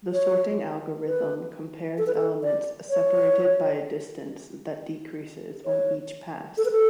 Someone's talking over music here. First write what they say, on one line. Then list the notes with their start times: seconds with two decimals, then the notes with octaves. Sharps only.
The sorting algorithm compares elements separated by a distance that decreases on each pass.
0.13 C#5
1.06 B4
1.98 A4
2.07 B4
2.15 A4
2.43 D5
2.90 C#5
5.66 C#5
6.58 A4
6.65 B4
6.71 A4